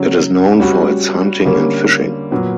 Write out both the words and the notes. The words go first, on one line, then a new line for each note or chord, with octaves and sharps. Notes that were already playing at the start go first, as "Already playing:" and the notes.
It is known for its hunting and fishing.
Already playing: C#3 F#3 C#4
G3 C#4 F#4
D3 G3 A#3 C#4
A#2 F#3 B3